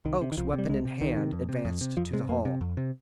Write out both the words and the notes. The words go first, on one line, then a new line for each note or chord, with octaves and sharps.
Oakes, weapon in hand, advanced to the hall.
C2 D#3
C3
D#3
C2 F3
C3
G3
C2 G#3
C3
C2 D#3
C3
F2
C3
F2
C3
F2 F3
C3 G#3
F2 A#3
C3
F2
C3